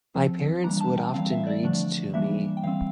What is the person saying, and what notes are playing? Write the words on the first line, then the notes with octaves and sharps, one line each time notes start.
My parents would often read to me.
F3 C4
E3 G3 A#3 D4 A#5
A5
G5
E3 G3 C4 F5
E5
D5
D3 F3 A3 D4
E3 G3 A#3 D4 E5
G5
E3 G3 C4 F5